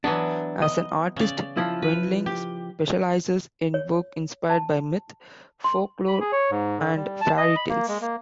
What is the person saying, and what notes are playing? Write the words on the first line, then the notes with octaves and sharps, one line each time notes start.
As an artist, Windling specializes in work inspired by myth, folklore, and fairy tales.
E3 F#3 B3 D4
D#5
C#3 D5
F3 E4
B4
G4
C#5
A5
C6
B5
G#4
C#5
G#2
D3
G3
A5
D#5
B5
A#3
G#3
A#3